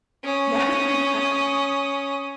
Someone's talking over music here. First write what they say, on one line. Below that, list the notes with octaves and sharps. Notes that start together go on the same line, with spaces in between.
Yes, exact
C#4 D#6